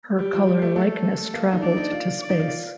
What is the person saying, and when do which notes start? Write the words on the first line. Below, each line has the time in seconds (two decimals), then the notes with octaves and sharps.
Her color likeness traveled to space.
0.18 G3 G4
0.33 F3
0.48 G3
0.62 A3
0.76 A3 A4
1.34 A#3
1.53 D#4
1.62 D4 D5
1.77 D#4
1.92 F4
2.20 D5
2.30 D#4
2.39 F4